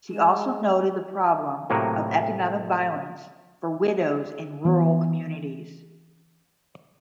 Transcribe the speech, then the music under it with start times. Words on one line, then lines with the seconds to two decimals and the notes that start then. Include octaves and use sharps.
She also noted the problem of economic violence for widows in rural communities.
0.11 G#3 G#4
1.70 A2 C3 F#3 A#3
4.65 E3 B3